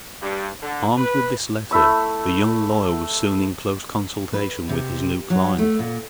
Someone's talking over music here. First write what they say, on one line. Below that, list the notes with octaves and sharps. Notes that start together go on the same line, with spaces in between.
Armed with this letter the young lawyer was soon in close consultation with his new client.
G2
D3
B4
A3 E4 E5 C#6
B4
C3
F#3
A3
A#2